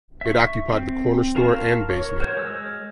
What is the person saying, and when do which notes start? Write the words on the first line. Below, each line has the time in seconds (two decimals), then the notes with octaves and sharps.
It occupied the corner store and basement.
0.21 E5 C#6
0.72 C4
1.35 F4 A#4 F5 A5 C#6
1.90 A#4 C#5
2.20 F#4 A#4 C5 C#5
2.37 G#3 E6 F6